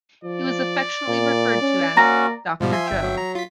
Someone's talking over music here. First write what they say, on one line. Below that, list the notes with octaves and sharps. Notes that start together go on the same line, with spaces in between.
He was affectionately referred to as Doctor Joe.
F3 D5
A#2
C#4
A#3 C#4 F#4 A#5 A#6
G#2 B2 F3 G3
E5 G#5 C6
G1 E5 G5
F#3
A#5
F4 B6